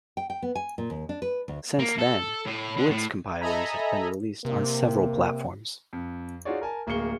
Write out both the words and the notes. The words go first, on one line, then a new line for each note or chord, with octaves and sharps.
Since then, Blitz compilers have been released on several platforms.
G5
G5
B3
G#5
A#2
D#2
D4
B4
D2
A#3
A4
A2
D3
A2
A4 D#5 E5 G#5 A#5 B5
C3 A#3
F2
D#4 F4 F#4 G#4 C#5 D5
A#4 G#5 A5
D1 A#3 G#4 C#6 C#7 G7